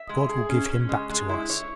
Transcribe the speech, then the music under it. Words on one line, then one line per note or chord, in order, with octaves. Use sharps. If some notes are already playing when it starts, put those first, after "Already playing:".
God will give him back to us!
Already playing: E5
G#3
G#4
C#4
C#4
G#3
G#3
E4
C#5